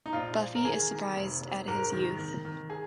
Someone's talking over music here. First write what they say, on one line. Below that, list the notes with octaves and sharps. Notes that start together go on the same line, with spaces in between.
Buffy is surprised at his youth.
D#4
A#1 F4
F3
A#4
D#3 G#4
D#3
F1
F1
G#2 A#4
D#3
D#3
D#3
G#4